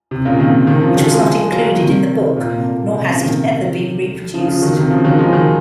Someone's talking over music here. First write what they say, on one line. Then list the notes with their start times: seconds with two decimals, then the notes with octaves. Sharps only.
It was not included in the book, nor has it ever been reproduced.
0.11 C3
0.25 A#2 C#3
0.39 C3 D#3
0.67 C3 D#3
0.81 C#3 F3
0.95 D#3 F#3
1.09 F3 G#3
1.52 F#3 A#3
1.66 F#3 A#3
1.80 C3 D#3
2.22 C3
2.36 A#2
2.51 C3
2.65 A#2
2.92 C3
3.07 A#2 C#3
3.21 C3 D#3
4.34 C#3 F3
4.48 C#3 F3
4.62 D#3 F#3
4.76 C3 D#3
4.90 C#3 F3
5.04 D#3 F#3
5.18 F3 G#3
5.33 D#3 F#3